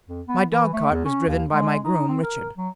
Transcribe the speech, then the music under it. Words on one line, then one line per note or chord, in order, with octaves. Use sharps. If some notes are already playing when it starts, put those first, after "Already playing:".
My dogcart was driven by my groom, Richard.
F2
B3
E3
A3
E2
C#4
D#2
G#3
D#4
C4
A#4
F#3